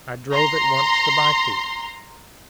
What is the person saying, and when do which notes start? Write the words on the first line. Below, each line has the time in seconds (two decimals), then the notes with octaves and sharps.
I drove at once to Byfield.
0.33 A#5 C6